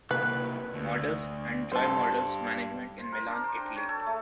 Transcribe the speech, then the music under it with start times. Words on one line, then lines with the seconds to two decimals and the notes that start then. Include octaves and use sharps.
Models, and Joy Models Management in Milan, Italy.
0.11 C3 A#3 B4
0.73 D2
1.72 G2 A4 C5
2.98 C5
3.12 A#4
3.27 D4
3.43 C5
3.57 G5
3.76 C#5
3.89 A4
4.06 A3